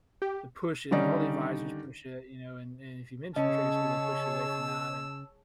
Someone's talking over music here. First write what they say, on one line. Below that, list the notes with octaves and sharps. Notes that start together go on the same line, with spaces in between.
the push is, all the advisors push it, you know, and and if you mention trade school, they push you away from that, and
G4
D3 D#3 G3 C#4 D#4 D5
C#3 C#4 G#4 C#5 D#5 A5 E6